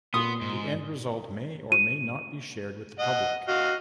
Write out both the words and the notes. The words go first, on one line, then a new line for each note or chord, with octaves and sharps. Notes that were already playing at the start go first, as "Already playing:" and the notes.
The end result may or may not be shared with the public.
A#2 B3 C6 D#6
G#2
D#7
D#5 F#5
F#4 D#5 F5